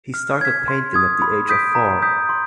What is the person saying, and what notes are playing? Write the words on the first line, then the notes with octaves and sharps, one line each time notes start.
He started painting at the age of four.
F6
G#6 B6
C6
D#6 G#6
B5
D#6 G6 B6 D7
A#5
D#6 G6 B6
C6